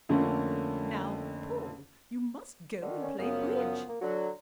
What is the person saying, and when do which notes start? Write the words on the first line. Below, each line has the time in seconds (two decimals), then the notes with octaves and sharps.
Now, Paul, you must go and play bridge.
0.09 F2 D3 A3 A#3 C#4
2.82 D3 D#3
3.03 C#4
3.19 F#2 C#3 F3 B3
3.89 A#3
4.01 D3 F#3 F#4